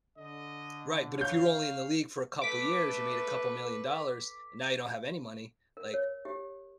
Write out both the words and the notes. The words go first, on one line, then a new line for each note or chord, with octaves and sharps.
Right, but if you're only in the league for a couple of years, you made a couple million dollars and now you don't have any money, like,
D3 D#5
C#5 F5 G6
A3 B4 D6 B6
A#4
C#5
G4